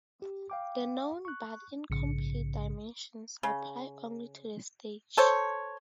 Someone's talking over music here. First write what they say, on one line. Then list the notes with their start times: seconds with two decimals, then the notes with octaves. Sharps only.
The known but incomplete dimensions apply only to the stage.
0.22 G4
0.50 F5 G5 D6
1.25 C#6 F#6
1.90 A#1 G#2 C#3 C#7
3.43 C#3
5.17 A4 C5 C#5